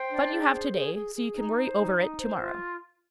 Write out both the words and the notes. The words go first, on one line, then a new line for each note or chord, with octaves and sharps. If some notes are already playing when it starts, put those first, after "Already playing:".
Fun you have to-day so you can worry over it to-morrow.
Already playing: C5 G5
D4
G#4
C5
G#4
G#4
G#4
D#4
C5
D#4
D#4
C5
F4